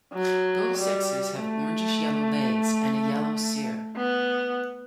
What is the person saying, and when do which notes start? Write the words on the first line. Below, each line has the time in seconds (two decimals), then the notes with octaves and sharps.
Both sexes have orangish-yellow legs and a yellow cere.
0.13 F#3
0.77 G3
1.41 A3
3.96 B3